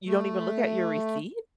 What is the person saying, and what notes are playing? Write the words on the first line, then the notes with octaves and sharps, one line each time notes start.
you don't even look at your receipts?
A3